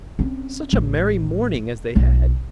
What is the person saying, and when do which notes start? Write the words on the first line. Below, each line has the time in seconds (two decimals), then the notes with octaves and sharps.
Such a merry morning as they had!
0.19 C4 C#4
0.73 A1
1.95 B1 F4